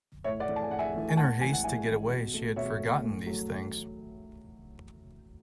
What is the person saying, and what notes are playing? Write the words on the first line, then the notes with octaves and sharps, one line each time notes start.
In her haste to get away she had forgotten these things.
A2 C#5 E5
D5 F#5
E3 A3
A5
G#5
A2 F#5
E5 G#5
E3 A3
G#5
A2 F#5 A5
E3 G#3 G#5
F#5
A2 E5 G#5
E3 G#3
B2
A3
B2 C#5 E5
A3
A2
F#3 A3